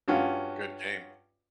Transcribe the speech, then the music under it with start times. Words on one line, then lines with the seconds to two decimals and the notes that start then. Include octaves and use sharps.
good game.
0.08 G2 C#4 F4 F#4